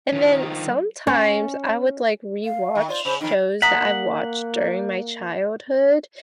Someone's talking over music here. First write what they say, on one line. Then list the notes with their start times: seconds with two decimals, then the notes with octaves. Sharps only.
and then sometimes, I would, like, rewatch shows that I watched during my childhood,
0.13 D#3 F3
1.07 C#4
2.45 F5
2.75 D#3
2.88 F4 C5 D5
3.05 C#3 C5
3.21 F2 D#3 D#4
3.62 A#3 E5 F#5 A#5 D#6 B6